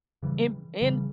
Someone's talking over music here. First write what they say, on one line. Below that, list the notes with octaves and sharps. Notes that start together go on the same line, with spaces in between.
In in
C#3 E3 G3
C#3 E3 G3